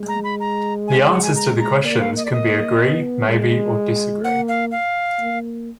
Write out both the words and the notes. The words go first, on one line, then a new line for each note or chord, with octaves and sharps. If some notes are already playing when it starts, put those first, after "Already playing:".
The answers to the questions can be Agree, Maybe or Disagree.
Already playing: G#3
A#5
B5
A#5
G#5
F#5
G#5
A#5
A#5
A#3 D5
F5
D#5
D5
A#3 D#5
B3
G#3
A#3 F#5
F5
F5
A#3